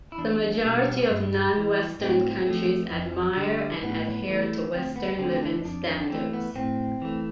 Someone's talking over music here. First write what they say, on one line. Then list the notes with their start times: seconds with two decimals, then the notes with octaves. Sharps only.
The majority of non-Western countries admire and adhere to Western living standards.
0.12 E4
0.18 E2 D4
0.63 B2 G3
1.10 G2
1.54 E3 G3
2.00 A2 C4
2.46 F3 A3
2.91 F2
3.37 D3 G3
3.82 A2 B3
4.28 E3 A3
4.73 D2 C4
4.96 B3
5.18 D3 A3 C4
5.31 C4
5.42 D4
5.64 F2 D4
5.87 D4
6.10 E3 A3 C4
6.33 B3
6.56 A2 C4
7.02 E3 A3